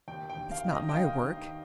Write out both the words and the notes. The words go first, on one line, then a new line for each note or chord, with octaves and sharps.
It's not my work.
D#2 G5
G5
D#2
F5
D#4
D#5
G5
D#2 F5
D#3